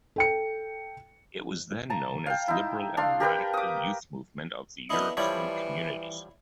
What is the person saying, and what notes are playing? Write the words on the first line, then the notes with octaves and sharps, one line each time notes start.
It was then known as Liberal and Radical Youth Movement of the European Communities.
A4 G5 C#7
A5 A#5
F5 G5
D#4 E4
D4 F5 C6
G4 A#4 B4 G5
D6 D#6
B3 D4 E4 D#5
E3 F3 G3 D4 E4 C#5